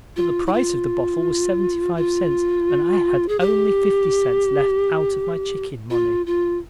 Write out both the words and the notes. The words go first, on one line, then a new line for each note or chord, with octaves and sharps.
But the price of the bottle was seventy-five cents and I had only fifty cents left out of my chicken money.
F4
E4
F4
F4
G#4
G4
F4
F4